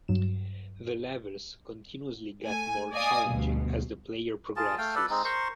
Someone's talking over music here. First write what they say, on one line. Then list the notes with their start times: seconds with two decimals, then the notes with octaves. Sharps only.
The levels continuously get more challenging as the player progresses.
0.08 G2 F#3 E7
2.46 A3 G#5
2.92 D5 D#5 F5 G#5 D#6
3.25 D2 G2 B2
4.56 F4 G#4 A5
4.78 A3 F5 G5
4.95 A4 B4 D5
5.10 G#3 C4 D#4
5.25 A#4 C5 C6 C#6